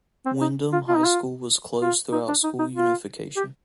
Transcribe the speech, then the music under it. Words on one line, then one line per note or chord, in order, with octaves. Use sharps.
Windom High School was closed through school unification.
C4
D#4
F4
F4
D#4
F4
F4
D#4
D4
D#4
D#4
F4
G4